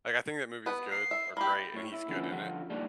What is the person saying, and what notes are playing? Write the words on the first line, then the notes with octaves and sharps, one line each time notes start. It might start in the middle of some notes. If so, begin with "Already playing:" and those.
like, I think that movie is good, or great, and he's good in it,
B3 B4
A#3 C7
E5
A#3 G4 B5
A2 C#5
E4
D3 F3 B3 C#4 E4
D3 F3 F4 F#4
G3 G#3 A#3 D4 D#4 D5